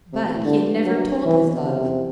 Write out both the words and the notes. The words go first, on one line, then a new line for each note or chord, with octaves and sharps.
But he had never told his love.
C3
B2
A2
G2 D3
F#3
C3 E3
B2
C3
F#2
E2